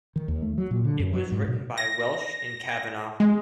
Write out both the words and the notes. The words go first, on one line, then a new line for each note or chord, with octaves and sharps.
It was written by Welsh and Cavanagh.
D#3
D#2
A3
F#3
A#2
D3
F#2
F#3
G#2
B2
A#6
G#3